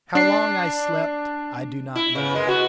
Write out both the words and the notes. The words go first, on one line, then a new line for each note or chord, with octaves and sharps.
How long I slept I do not know.
D4 C7
E4
C#3 B3
F#2 G#3
B3 F#4